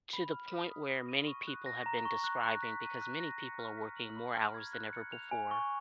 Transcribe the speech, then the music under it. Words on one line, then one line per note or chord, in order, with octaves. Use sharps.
to the point where many people have been describing because many people are working more hours than ever before,
B5
F6
B6
D#6
A#6
D#7
C#6
F#6
A#6
A#5
C#6
F#6
F#6
B6
D#7
F#6
A#6
C#7
F6
B6
F#7
B5
F6
G#6
F#6
C#7
F7
G#5
C#6